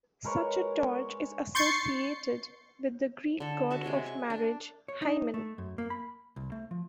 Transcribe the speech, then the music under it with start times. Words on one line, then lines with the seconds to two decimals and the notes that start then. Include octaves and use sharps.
Such a torch is associated with the Greek god of marriage Hymen.
0.24 G#3 A#4 B4 C#5
1.55 C6 C#6 G6 A6 C7 C#7
3.40 D3 A4
3.71 F#4 E5 A5
3.83 C3 G#3 C#5 C6
4.06 C#6
4.30 D4
4.88 C#5
5.02 D#4
5.34 A3
5.58 F#2
5.78 A#3
5.90 B5
6.36 C2
6.52 A3
6.71 F3